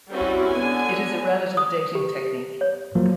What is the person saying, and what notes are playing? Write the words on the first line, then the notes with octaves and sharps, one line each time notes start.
It is a relative dating technique.
G3 C4 C#4 E4 F#4
D3 B3 G#5
D#6
G4
C#5
F3 F#3 A#3